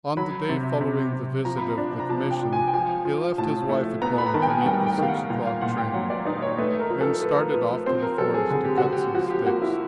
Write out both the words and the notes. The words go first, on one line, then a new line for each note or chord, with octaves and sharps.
On the day following the visit of the commission he left his wife at home to meet the six o'clock train, and started off to the forest to cut some sticks.
F#3 B5
C3
C3
C3
F3 A#5
B5
A#5
D4
A#5
F3 A5
G5
F3
G#5
G5
F3 G#5
F3
A2 A5
A3
B3 A#5
B5
A#5
D#3 A5
G5
G#5
F#5
G3 G5
G5
D#3 F5
F#5
A#2 F5
F5
A#2 F#5
F#5
G5
F#3 F#5
D5
D#4 D5
C#5
A3 B4
A#4
F3
A4
F3 B4
A#4
B4
F3
C4 C5
A#4
F#3 A4
G#4
D3 G#4
G4
D3 F#4
G4
F3 F#4
G4
A#3 F#4
E4